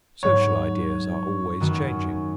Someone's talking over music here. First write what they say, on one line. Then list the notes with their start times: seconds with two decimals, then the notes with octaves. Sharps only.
Social ideas are always changing.
0.23 G#2 F#3 B3 C#5
1.60 F#2 D#3 B3 F#4